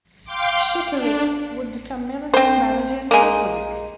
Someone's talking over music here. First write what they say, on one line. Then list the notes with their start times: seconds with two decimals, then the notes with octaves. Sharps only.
Schekeryk would become Melanie's manager and husband.
0.25 F5 G5 C6 D6
0.91 D4
2.34 C4 C5
3.11 G#3 A#3